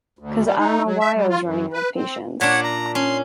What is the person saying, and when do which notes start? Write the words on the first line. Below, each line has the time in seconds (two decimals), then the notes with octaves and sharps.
Cause I don’t know why I was running out of patience.
0.19 D2
0.45 G3
0.58 D#4
0.85 F#3
1.00 E5
1.16 G3
1.30 F4
1.44 F#2
1.73 B4
1.96 C4
2.41 A#2 D4 C#5 F#5
2.64 A#5
2.95 C#4 C6